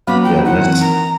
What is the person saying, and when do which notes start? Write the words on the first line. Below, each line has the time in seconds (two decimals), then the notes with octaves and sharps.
Yeah, that's
0.07 F#3 A#3 B3 C#4 B5 D6
0.24 G5
0.45 D#4 E4 F#5
0.61 E3 C4
0.81 D#3 A#5